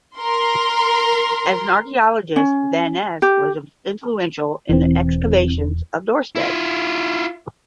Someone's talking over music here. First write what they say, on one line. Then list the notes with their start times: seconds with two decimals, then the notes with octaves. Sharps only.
As an archaeologist van Es was influential in the excavations of Dorestad.
0.17 A#4 C6
2.36 C#4
3.22 G4
4.69 E1 E3 C4
6.36 E4 F4